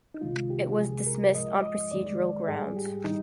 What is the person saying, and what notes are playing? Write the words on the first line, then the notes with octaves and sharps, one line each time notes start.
It was dismissed on procedural grounds.
D#4
C2 C3 D#3 G#3 F4
G4
C2 C3 F3 G#3 G#4
A#4
G#2 F3 G#3 D#5
D#5
F2 D#3 G#3 D5
G#2 G3 G#4
G4
D#3 G3 D#4